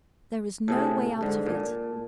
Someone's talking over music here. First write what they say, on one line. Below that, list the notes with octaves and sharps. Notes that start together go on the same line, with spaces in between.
There is no way out of it.
A2 C3 G#4 A5
G#2 D3
A#2